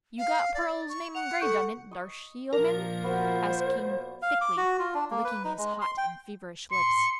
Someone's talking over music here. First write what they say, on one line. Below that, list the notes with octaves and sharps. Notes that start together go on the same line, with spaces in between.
"You got Pearl's name 'graved on it, Darcy, ole man?" asked King, thickly, licking his hot and feverish lips.
F5
D5
C#6
F#5 F7
A4 C#6 G6
D#5 C#6
A#2 F3 D4 A#4
B3 F#4 C5
F5
D6
F#4
F4
D4
A#3
B4
D#4
G#3
C6
G5
C6 C#7